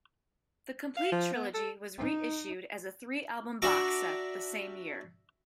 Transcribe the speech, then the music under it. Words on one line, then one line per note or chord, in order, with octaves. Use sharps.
The complete trilogy was reissued as a three album box set the same year.
F5
F3
B3
A4
D#4
D4 F#4 E5 A#5 D6